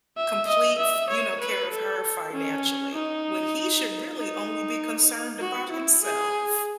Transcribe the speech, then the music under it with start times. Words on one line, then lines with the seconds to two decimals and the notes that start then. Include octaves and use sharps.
complete f you know, care of her financially, when he should really only be concerned about himself.
0.17 E5
0.47 D#5
0.78 E5
1.09 C#5
1.41 B4
1.71 A4
2.33 C#4
2.94 D#4
4.18 D#4
5.41 F#4
5.71 E4
6.03 G#4